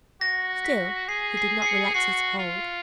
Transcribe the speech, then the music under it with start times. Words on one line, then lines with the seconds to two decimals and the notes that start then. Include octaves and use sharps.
Still he did not relax his hold.
0.21 F#4 A#6
0.65 B6
1.08 G#4 C7
1.37 C7
1.62 C7
1.66 C#7
1.94 F#4 C7
2.39 F4